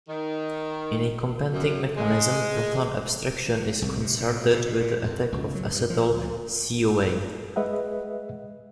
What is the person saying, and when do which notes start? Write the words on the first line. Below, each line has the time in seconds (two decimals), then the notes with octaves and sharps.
In a competing mechanism, proton abstraction is concerted with the attack of acetyl CoA.
0.08 D#3
1.52 F#2
1.96 G#3
3.82 C2
4.01 C3
4.20 A2
4.54 C3
4.66 B2
4.80 A#2
5.03 F2
5.32 C#2
5.55 F#3
5.74 G2
5.90 F3
6.09 D2
7.56 G#3 G#4 B4 D#5 E5 F#5